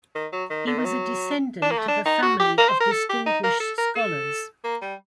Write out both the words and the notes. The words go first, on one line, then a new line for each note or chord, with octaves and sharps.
He was a descendant of a family of distinguished scholars.
D#3
F#3
D#3
D3
D#3
F#3
D4
A#3
A3
D4
D#4
F#4
G4
A#4
C5
A#4
A4
G4
D#4
A#4
A4
A#4
A4
A#3
G3